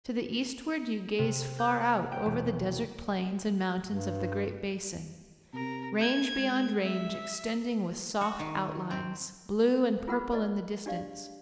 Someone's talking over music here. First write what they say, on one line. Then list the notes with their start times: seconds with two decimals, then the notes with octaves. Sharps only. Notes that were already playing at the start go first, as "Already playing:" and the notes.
To the eastward you gaze far out over the desert plains and mountains of the "Great Basin," range beyond range extending with soft outlines, blue and purple in the distance.
1.19 C3
1.59 G6
1.81 F#5
2.12 G5
2.26 E1
3.88 G2
5.54 C3 A#4
6.01 G#6
6.38 G#3
6.81 E5
8.21 F#4
8.39 D#3
8.91 C4
10.08 F4 G#4 A#4 B4 F#5 B5
10.32 B4 D5 D#5
10.86 D4 G4 D5 F5